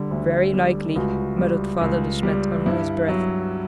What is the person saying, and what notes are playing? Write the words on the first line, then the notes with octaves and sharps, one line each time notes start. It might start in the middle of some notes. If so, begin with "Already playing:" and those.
"Very likely," muttered Father De Smet under his breath.
Already playing: D3 G3
D2
G3
C#2 F#4
G3
C#2
G3
G2 E4
F#3